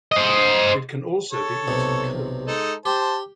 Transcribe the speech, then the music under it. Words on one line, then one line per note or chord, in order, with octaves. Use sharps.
It can also be eaten cold.
C5 D#5
A4 C#5 A5
B1 C3
G#3 D#4 A4
G4 C5 A5